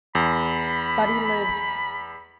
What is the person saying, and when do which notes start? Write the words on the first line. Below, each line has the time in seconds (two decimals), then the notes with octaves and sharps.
But he lives.
0.15 E2 B5